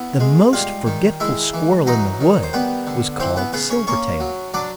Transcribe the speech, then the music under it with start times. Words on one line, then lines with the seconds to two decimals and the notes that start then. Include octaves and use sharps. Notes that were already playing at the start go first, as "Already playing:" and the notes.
The most forgetful squirrel in the wood was called Silvertail.
Already playing: B3 E4
0.20 G#3
0.53 G3 F4 F5
0.87 D#3
1.20 G#3 E4 E5
1.54 E3
1.87 F#3 D#4 D#5
2.21 D#3
2.43 C5
2.53 G3 B3 B4
2.87 D3
3.20 E3 C4 C5
3.36 B3 B4
3.53 C#3 B3 B4
3.70 C#4 C#5
3.87 A#3 C#4 C#5
4.20 F#3
4.54 F#3 D4 D5